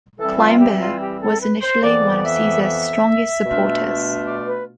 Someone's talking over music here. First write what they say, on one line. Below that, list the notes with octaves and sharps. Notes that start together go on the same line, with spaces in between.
Cimber was initially one of Caesar's strongest supporters.
E3 G3 C4 E4 A4
F4
G4
F4
G4
A4
B4
C5
F2 E3 B3 D5
E5
E5
B2 A3 D4 F4
D5
B4